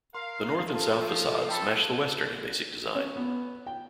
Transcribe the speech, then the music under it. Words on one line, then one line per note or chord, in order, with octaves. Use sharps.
The north and south facades match the western in basic design.
A#4 F5 C6
F3 F4 A4 A5
A4 G5 B5
C#4
B3
G5